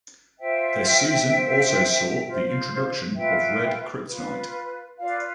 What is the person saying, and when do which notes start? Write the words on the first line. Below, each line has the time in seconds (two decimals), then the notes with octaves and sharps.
This season also saw the introduction of red kryptonite.
0.39 F4 C5 E5 G5
1.31 F4 C5
2.24 F4 C5
3.15 F4 B4 E5 G5
4.07 F4 B4
4.99 F4 B4 D5 F5